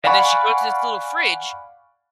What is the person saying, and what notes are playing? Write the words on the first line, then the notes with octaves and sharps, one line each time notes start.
And then she goes to this little fridge,
D5 F5 F#5 G#5 B5 C#6